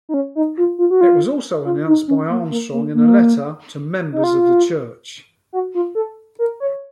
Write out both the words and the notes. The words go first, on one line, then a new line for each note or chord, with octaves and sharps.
It was also announced by Armstrong in a letter to members of the church.
D#4
C#4
D#4
F4
F4
F#4
F4
F4
D#4
C#4
A#3
A#3
A#3
A#3
D#4
F4
F#4
F4
A4
A#4
C#5